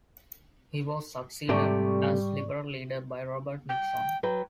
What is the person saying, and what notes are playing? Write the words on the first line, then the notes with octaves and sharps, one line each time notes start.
He was succeeded as Liberal leader by Robert Nixon.
G#2 C3 G3 A3 G4 D5 C#6
G5
F#3 B4 G5